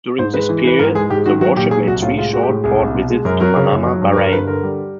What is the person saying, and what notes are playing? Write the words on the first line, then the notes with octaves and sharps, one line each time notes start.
During this period, the warship made three short port visits to Manama, Bahrain.
G#2 C5
G#3 B4
E3
E3 B4
G#2 A#4
G#3 G#4
G#2 G4
D#3 F#4
F#3 F#4
A#2 G4
F#3 G#4
C2 F#4
A2 F4
G#3 F4
G#3 F#4
G4
A2
C2 G#4
C2
B2
G#3
F#2 A#4
F#3 A#4
C#3
F#2
F#3
G2
A#4
G2 B4
A#4
D3 B4
D3 A#4
G3